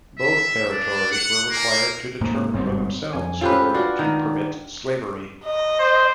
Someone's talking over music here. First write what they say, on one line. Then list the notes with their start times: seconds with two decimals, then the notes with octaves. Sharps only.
Both territories were required to determine for themselves whether to permit slavery.
0.18 E5
0.71 D4
1.11 F#5
1.50 A#3
2.21 G#2 A#3
2.53 G1 G#2 G3 C4
3.13 F2 G#5
3.41 C#4 F4 G4 A4 B4 C5
3.74 D4 F4 F#4 B4 D5
3.99 D#3
5.44 D#5
5.80 C5